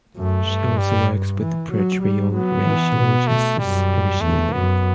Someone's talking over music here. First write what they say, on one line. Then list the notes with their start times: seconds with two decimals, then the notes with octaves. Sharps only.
She also works with the Pretrial Racial Justice Initiative.
0.16 F#2 A3
0.47 G2
0.78 G3
1.41 E3
1.72 F#3
2.03 G3
2.34 F#3 B3
2.65 E3
2.97 B2
3.28 A3
3.59 F#2 G3
4.21 E2 A3
4.53 F#2 B3